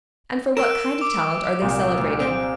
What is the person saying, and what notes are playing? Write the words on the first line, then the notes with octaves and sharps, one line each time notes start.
And for what kind of talent are they celebrated?
A#4 E6 D7 E7
F#6
D6
C2 A#2
D2
C4 C5 D7